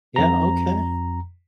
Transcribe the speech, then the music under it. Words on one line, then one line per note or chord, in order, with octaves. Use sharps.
Yeah, okay,
F2 A#5